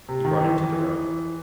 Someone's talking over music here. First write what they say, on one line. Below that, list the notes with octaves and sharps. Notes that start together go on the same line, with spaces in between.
He brought it to the rug.
C3
D#3
E3
E3
E3